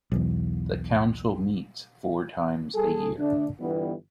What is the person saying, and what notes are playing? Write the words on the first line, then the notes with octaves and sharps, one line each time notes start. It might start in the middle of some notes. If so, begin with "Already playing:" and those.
The council meets four times a year.
B1 E2
G3 G#4 A4
D3 A3 D4
G1 E3 G3 B3